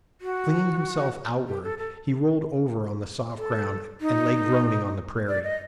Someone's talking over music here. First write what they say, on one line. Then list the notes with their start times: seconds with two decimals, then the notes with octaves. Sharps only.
Flinging himself outward, he rolled over on the soft ground, and lay groaning on the prairie.
0.21 F#4
1.48 G4
1.63 A4
1.78 A4
3.37 A4
4.01 D#4
5.28 D5
5.43 D#5